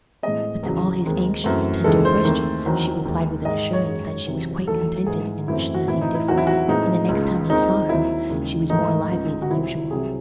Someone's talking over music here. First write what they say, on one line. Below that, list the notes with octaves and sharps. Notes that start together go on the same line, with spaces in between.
But to all his anxious, tender questions, she replied with an assurance that she was quite contented and wished nothing different; and the next time he saw her she was more lively than usual.
A2 G#3 C4 D#5
E2 C#3 F#3
D#2 D#3 G#3 C4
F#2 E3 A3 C4
D#2 C#3 E3 G#3 A4
C5
D#2 D#3 A3 C4
E2 D#3 F#3 C4
D#2 D#3 G#3
G#2 D#3 G#3 D#5
C#5
F#2 D#3 G#3
E2 C3 F#3 C4
E2 D#3 F#3 A3 A4
G#2 E3 G#3 G#4
F#2 E3 A3 C4 E4
F#4
A2 E3 C4 E4
D#4
E4
E2 D#3 F#3 C4 F#4
E4
F#4
A2 E3 G#3 C4 D#4
C#2 C#3 G#3
D#2 D#3 G#3 C4 D#4
D#2 D#3 F#3 C4 E4
D#2 C#3 G#3
G#2 D#3 A3 D#4
C#2 C#3 G#3
F#4
C2 C3 F#3 C4 E4
C2 C3 F#3 C4 G#4